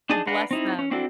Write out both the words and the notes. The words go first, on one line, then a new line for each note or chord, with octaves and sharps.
Oh, bless them.
D4 D#4 G#4 G#5 A5
D4 B4 F5 F#5 A#5
C4 D#4 E4
C#4
C4 D4 E4 F#4 A4